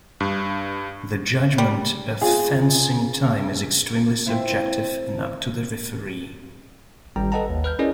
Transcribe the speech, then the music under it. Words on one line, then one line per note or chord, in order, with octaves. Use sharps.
The judgement of "fencing time" is extremely subjective and up to the referee.
G2
G3
F4 G#4
C4 E4 F4
G#1 G3 G5 A#5
A4 B4 D#5 F#5 A5 A#5
D#2
B4 F6 G6
C#4 E4 G#4 A#4 D5 D#5